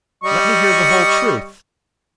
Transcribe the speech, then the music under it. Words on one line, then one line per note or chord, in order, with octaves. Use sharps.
"Let me hear the whole truth."
G3 D#5 C#6